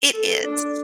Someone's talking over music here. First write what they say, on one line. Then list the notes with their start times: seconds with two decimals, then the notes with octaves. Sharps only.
It is.
0.14 A4
0.43 D4